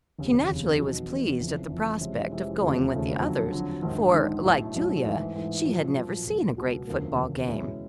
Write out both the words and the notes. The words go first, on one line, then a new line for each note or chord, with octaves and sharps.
She naturally was pleased at the prospect of going with the others, for like Julia, she had never seen a great football game.
F1 D#2 C#3
F1 D#2 C#3
E2 B2 F#3 B3 D#4
E2 B2 F#3 B3 D#4
F#1 F2 C#3 E3
F#1 F2 C#3 E3
F2 C3 E3 G#3 C#4
F2 C3 E3 G#3 C#4
E1 D#2 C#3 F3 A3
E1 D#2 C#3 F3 A3
F2 D3 F#3
F2 D3 F#3
A#1 G#2 D#3
A#1 G#2 D#3
B1 A2 F#3
B1 A2 F#3
G#2 E3 A3
G#2 E3 A3
B1 A#2 F3
B1 A#2 F3
C#2 B2 F#3
C#2 B2 F#3
E1 D2 C#3 F3 A#3
E1 D2 C#3 F3 A#3
B2 G#3 C#4 E4